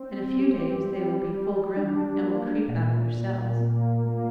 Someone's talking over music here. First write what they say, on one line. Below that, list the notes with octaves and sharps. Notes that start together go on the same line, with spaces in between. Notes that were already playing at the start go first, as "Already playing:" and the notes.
In a few days they will be full grown, and will creep out of their cells.
Already playing: C4
G4
G3
G3
D4
A#3
A#2
A#2
A#3
A#3